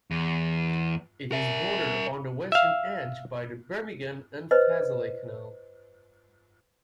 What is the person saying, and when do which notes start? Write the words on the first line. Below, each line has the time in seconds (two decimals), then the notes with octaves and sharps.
It is bordered on the western edge by the Birmingham and Fazeley Canal.
0.11 E2
1.32 A#4 E5
2.52 E5 F5
4.51 B4 C5 D#5